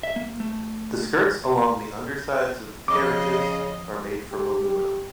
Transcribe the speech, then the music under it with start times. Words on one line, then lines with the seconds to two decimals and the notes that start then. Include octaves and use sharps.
The skirts along the undersides of the carriages are made from aluminium.
0.03 E5
0.16 A#3
0.40 A3
2.88 C#3 F3 D#5 D6
4.32 G4